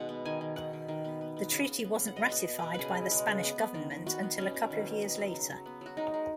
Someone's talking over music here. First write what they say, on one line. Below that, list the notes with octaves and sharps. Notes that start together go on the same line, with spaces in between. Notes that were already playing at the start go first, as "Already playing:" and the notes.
The treaty wasn't ratified by the Spanish government until a couple of years later.
Already playing: B2 D#3 G#3 F#5
B3
D#3 G#5
D#3
D#3 F#5
D#3
D#3
B3
B3
B3
C#3
C#3
B3
C#3
F#5
B2 D#5
B3
B3
B2 B4
C#3 G#4 B4
G#3
G#3
C#3
B3
B3
D#3
D#3
B3 F#4
B3
B2 C#4
B2
D#3
D#3
B3
F#3
C#3
F#3
B3
F#3 F#4
G#3 D#4
G#3